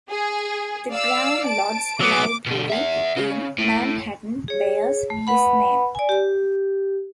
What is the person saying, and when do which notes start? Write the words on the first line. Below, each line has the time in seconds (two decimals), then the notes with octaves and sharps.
The Grand Lodge's library in Manhattan bears his name.
0.10 G#4
0.91 D5 F5 E6
1.46 A5 D7
2.00 F#3 B3 D6
2.46 B2 D3
2.70 E5 F#5
3.17 C#3
3.59 A2
4.48 G#4 C#5
5.10 A3
5.27 B4 F#5 B5
5.95 D5 G#5
6.09 G4